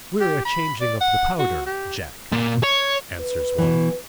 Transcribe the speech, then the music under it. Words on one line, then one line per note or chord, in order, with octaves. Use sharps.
"We're a-changing of the powder, Jack," answers one.
G4
B5
D5
F#5
F#4
G4
A#2
C#5
B4
B2 E3